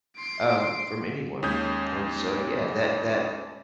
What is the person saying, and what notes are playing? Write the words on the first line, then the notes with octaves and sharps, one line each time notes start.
um, from anyone. And so, yeah, that that,
C6 D7
D#2 G#3 C#4 D#6 G6 G#6